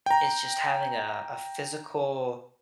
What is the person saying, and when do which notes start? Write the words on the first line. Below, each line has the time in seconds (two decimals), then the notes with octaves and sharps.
is just having a a physical
0.06 G5 A#5